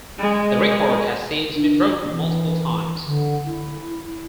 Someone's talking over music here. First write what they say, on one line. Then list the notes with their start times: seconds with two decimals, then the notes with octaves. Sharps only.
The record has since been broken multiple times.
0.18 G#3
1.55 D4
2.09 E3
3.05 D3
3.46 E4